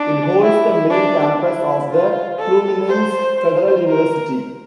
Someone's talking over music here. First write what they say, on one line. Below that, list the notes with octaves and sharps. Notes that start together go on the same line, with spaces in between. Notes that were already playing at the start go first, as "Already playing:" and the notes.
It holds the main campus of the Fluminense Federal University.
Already playing: D4
E4
D4
E4
F4
A4
C5
C5
A#4